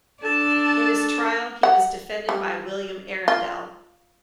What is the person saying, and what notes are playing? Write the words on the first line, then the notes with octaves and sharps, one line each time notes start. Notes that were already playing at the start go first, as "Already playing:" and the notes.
In his trial he was defended by William Arrindell.
D4 A4 A5
F#5
G3
F4